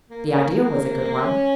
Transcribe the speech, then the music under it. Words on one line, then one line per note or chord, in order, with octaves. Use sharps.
The idea was a good one.
A#3
A#3
C#4